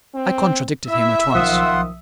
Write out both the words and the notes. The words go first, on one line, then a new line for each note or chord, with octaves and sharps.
I contradicted him at once.
C4
E4 E5
B1 D#3 F3 F4 F#5 C6 D#6